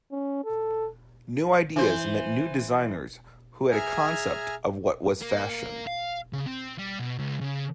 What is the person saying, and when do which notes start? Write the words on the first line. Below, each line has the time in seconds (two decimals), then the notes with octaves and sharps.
New ideas meant new designers who had a concept of what was fashion.
0.12 C#4
0.45 A4
1.76 E3 C5
3.71 G#4 E5 G#5 A#5 F6
5.21 A#3
5.87 F5
6.33 C#3
6.46 C4
6.79 G3
6.99 B2
7.19 C#2
7.41 C#3